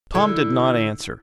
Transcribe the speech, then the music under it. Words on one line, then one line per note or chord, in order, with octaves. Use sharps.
Tom did not answer.
D3 E4 A4